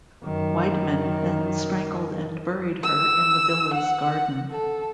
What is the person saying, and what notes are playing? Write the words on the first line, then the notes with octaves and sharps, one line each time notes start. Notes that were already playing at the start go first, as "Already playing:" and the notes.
Weidmann then strangled and buried her in the villa's garden.
F#2 D#3
E6
F#5
A4